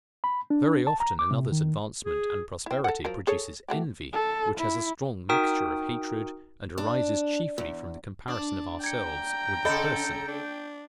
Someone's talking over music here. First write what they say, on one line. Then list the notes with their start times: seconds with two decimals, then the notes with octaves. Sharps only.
Very often another's advancement and prosperity produces envy, which has a strong mixture of hatred, and arises chiefly from the comparison of ourselves with the person.
0.24 B5
0.50 D4
0.87 A5
1.00 A#5
1.19 D6
1.31 C3
1.52 D#3
2.06 G#4
2.66 C4 E4
2.84 A4 F#5
3.05 F3 F#3 A#4
3.27 G#4 A4 C#5
3.68 A3 F#4 G4
4.13 A4
4.58 E4
5.29 D#4 F#4 A#4 G5 D#6
6.78 D4
7.58 E2
8.28 D4 D5
8.84 G5 A#5 G#6 C#7
9.65 C#3 A4 D#5 B5 G7
10.28 D4